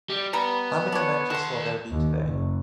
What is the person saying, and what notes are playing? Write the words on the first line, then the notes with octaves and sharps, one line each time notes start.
How many matches will there be today?
G3
G3 B3 A#5
D4 C#5
D#2 F#4 A5 C6
D#2
F#1